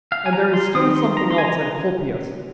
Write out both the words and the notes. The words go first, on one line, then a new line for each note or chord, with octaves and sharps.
And there is still something else, Encolpius.
F5
G#5
A#5
C6
D#3 C4 D#4 D#6
C6
A#5
C6
G#5
A#5